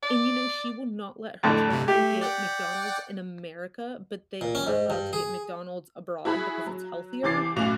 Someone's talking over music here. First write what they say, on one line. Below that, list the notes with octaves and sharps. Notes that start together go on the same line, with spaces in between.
and, you know, she will not let her children get McDonald's in America, but they are allowed to get McDonald's abroad because it's healthier.
D5
F2 A2 D3
G2 C3
A3 G4
D5 F#5 G5
A#2
C#4
G#2
G2
G#4
E4 F#4 G#4 B5
F#3
C2 E3 D6 A6 C7
B1 F#2 A2 F#4 D6 F7